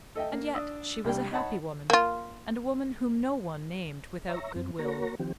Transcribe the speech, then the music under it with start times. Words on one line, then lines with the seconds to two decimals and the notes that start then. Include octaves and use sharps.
And yet she was a happy woman, and a woman whom no one named without good-will.
0.16 A4 D#5 E5 G5
0.32 A#3
0.55 D4 D#6 E6
1.04 C2 G3 D4 G5
1.32 D#4 C#5 F#5 A5 B5
1.90 A#3 F4
4.28 C#5 E5 A#5
4.56 F#2 C4
4.79 A#3 F#4 A#4 C#5 A#5
5.19 D#3 F3 C4 G4